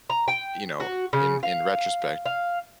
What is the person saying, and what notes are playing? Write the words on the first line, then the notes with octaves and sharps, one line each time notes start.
you know, in in retrospect,
A#5
G5
F#4
C#3
F5
F5